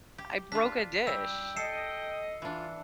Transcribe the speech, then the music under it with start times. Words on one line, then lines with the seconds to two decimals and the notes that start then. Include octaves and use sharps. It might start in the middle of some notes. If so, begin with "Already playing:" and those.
I broke a dish.
0.18 G4
0.52 D4 F4 B6
1.07 G3 G5 E6
1.56 A4 D#5 C7 C#7 E7
2.42 E3 D4 F4